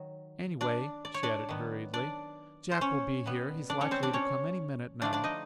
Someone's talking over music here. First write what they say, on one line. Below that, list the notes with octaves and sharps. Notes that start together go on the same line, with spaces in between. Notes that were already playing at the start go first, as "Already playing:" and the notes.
"Anyway," she added hurriedly, "Jack will be here; he's likely to come any minute now."
Already playing: D#3 F#3
D4 D5
D5
C#5
D4 D5
D#3 F#3 B3
D4 D5
C5
C#4 C#5
B2 G3 B3
D4 D5
C#4 C#5
C4 C5
D4 D5
C#4 C#5
D3 F3 A3 D4 D5
D4 D5
D#4 D#5